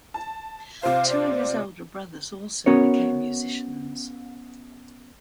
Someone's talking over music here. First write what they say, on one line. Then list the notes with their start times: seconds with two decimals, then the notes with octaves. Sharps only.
Two of his older brothers also became musicians.
0.14 A5
0.83 C3 F4 C5 F5
1.09 D5
2.66 B3 C#4 F#4 A#4 C#5